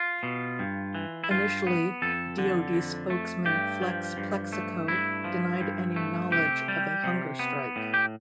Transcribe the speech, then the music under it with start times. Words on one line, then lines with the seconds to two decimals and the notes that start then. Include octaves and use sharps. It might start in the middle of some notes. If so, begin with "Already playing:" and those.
Initially DoD spokesman Flex Plexico denied any knowledge of a hunger strike.
Already playing: F4
0.23 B2
0.59 G2
0.95 E3
1.24 E4
1.31 G2 F4
1.67 B3
2.02 F2 A4
2.38 D3
2.73 F2
3.10 A3
3.45 G2 G4
3.82 F3
4.17 G2
4.53 A3
4.88 G2 E4
5.24 F3
5.61 G2
5.96 A3
6.32 C3 G4
6.68 G3
7.04 C3
7.39 B3
7.76 A2
7.94 G4